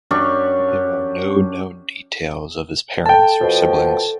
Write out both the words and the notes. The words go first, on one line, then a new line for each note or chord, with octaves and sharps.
There are no known details of his parents or siblings.
F#2 D4 G4 C#6
A4 G5 A5
B2 F3